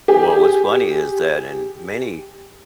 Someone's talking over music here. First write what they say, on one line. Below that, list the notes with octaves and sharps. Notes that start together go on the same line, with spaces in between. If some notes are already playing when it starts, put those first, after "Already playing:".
Well, what's funny is that in many
G4 G#4